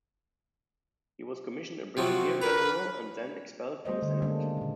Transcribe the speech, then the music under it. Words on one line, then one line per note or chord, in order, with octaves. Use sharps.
He was commissioned a brigadier general and then expelled from the Senate.
C3 F3 F#3 F#4
A#4 B4 A#5
G3 A3 C5 D#5
D3
D#3 G#3 A#3 C#4 D4
A#2 C#3